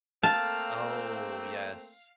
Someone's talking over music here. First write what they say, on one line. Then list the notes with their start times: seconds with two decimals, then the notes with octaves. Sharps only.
Oh, yes.
0.23 A3 A#3 C4 F5 A5